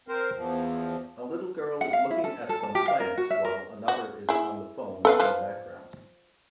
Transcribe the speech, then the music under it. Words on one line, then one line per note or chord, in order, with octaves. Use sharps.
A little girl is looking at some plants while another is on the phone in the background.
C4 A#4 C5
E2 F3
F#5
F5
E4
A4
A4
A5
G4
F5
A#4
F#4
E5
A#4
F#4
E4 G#4
A4 B4 F5
F3 B4